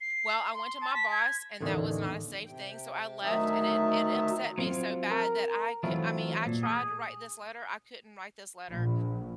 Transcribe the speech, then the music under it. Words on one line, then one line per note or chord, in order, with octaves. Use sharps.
Well, I went to my boss, and that was not a safe thing, so, I left, and it it upset me so bad that I c I mean, I tried to write this letter, I couldn't write this letter.
C7
C6
A5
B6
G#6
A1 E2 D3 D#3
C3 G5
D2 D#3 F#3 D#4 E5 A5
F#3 C4 F4
A#4 A#5
E3 F#3 A3 B3 C4 F4
A#2
G#4
A#1